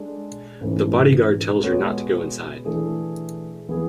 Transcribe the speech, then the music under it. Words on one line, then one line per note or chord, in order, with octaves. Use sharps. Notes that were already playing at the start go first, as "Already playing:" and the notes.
The bodyguard tells her not to go inside.
Already playing: G#3 D4 A4
G#2 E3 A3 C#4
G#3 B3 F#4 A4 C#5
E3 A3 D4 G#4
E3 B3 E4 G#4